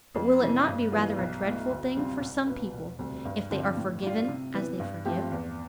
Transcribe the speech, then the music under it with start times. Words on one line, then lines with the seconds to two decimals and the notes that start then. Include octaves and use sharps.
But will it not be rather a dreadful thing for some people if they are forgiven as they forgive?
0.15 F2
0.41 C3 E3
0.66 G2
0.92 E3 G3 B3 F4
1.18 B1
1.44 B2 A3 E4
1.70 D2
1.96 C3 G3 C4 F4
2.21 C2
2.47 B2 B3 F4 B4
2.73 E1
2.99 D2 C3 G3
3.25 G2
3.51 D3 F3 C4 G4
3.77 A2
4.02 G3 D4 F4
4.28 C3
4.54 E3 B3
4.80 G2
5.05 F3 A3 C4 G4
5.31 E2